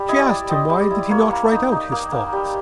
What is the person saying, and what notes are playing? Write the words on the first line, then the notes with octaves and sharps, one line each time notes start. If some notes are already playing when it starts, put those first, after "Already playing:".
She asked him why did he not write out his thoughts.
Already playing: G3
E4 D#5
D5
G3
C4 D#5
G3
D5
E4
A#3 C#5
A#3
D#4
D#4
A#3
A#3
G3